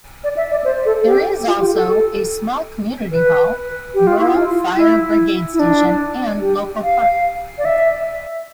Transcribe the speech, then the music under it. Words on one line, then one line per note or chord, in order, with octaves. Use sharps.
There is also a small community hall, Rural Fire Brigade station and local park.
D5
E5
D5
C5
A4
G4
F4
G4
A4
B4
G4
F4
E4
F4
E4
E4
D4
G4
F5
D5
E5